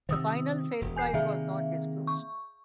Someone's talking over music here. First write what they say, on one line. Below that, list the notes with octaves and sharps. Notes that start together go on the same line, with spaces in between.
The final sale price was not disclosed.
C3 D#3 C5 D#6 E6
E1
G#5 G6 C7
C3 D#3 A#3 G#4 E5 F5
C#6